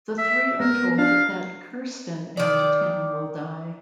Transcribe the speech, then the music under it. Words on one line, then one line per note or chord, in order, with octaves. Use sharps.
The three are told that Kirsten and Tim will die.
E5
B3 A#4
D4 F5
D#3 D5